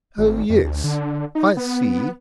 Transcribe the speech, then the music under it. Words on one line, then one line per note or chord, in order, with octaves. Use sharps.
"Oh, yes, I see."
G#1
F2
D2
D3
D#4
B3